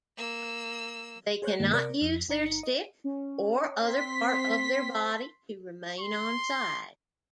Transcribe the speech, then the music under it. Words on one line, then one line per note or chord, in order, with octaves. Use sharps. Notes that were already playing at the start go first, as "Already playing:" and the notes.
They cannot use their stick or other part of their body to remain onside.
A#3 E6
G#4 C5 C#5 F#6 G6
G2 D#3 G#3 A#3
C3 A#4 D5
F2
G1 D#4 A#5 C#7
D#5
C#4
C4 C6 B6
C6